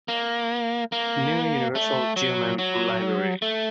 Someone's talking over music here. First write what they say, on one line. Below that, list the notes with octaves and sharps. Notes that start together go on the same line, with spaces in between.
New Universal German Library.
A#3
A#3
A3
F#3
F#3
A3